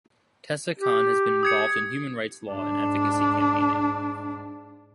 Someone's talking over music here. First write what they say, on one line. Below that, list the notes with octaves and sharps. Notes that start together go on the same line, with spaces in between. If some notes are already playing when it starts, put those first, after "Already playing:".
Tessa Khan has been involved in human rights law and advocacy campaigning.
G4
D#6 G#6 C#7
G#2 D4